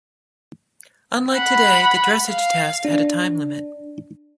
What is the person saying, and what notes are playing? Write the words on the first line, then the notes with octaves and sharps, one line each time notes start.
Unlike today, the dressage test had a time limit.
F#5 B5
F5
D4